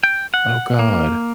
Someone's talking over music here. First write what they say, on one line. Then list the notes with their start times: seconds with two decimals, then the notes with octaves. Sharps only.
Oh god.
0.04 G5
0.34 F#5
0.79 A#3